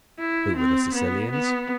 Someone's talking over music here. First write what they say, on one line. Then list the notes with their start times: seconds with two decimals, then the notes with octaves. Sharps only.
Who were the Sicilians?
0.19 E4
0.56 C4
0.94 B3
1.31 B3